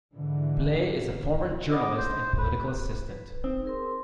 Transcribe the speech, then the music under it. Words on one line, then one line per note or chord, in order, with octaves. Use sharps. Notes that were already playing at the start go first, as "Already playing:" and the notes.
Blais is a former journalist and political assistant.
G#2 D3 E3
B3 D#5 D6
C5
B4
B4
C4 D#4
G#4 A#4 C6